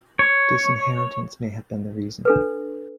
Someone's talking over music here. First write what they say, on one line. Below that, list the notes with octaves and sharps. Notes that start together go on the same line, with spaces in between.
Disinheritance may have been the reason.
C#5
D4 A4 B4